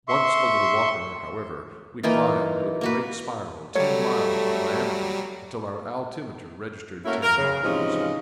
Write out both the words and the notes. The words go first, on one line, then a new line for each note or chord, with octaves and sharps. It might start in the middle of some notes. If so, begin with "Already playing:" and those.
Once over the water, however, we climbed in a great spiral, ten miles in diameter, until our altimeter registered ten miles.
E5 C6 C#6
E3 A#3 D#4 F4
A#3 F#4 B4
F#3 G3 A3 C#5
A3 A#3 C#4 E4 F#4 A#4
A#4
C#3
G#2 C3 E3 F3 C#4 D#5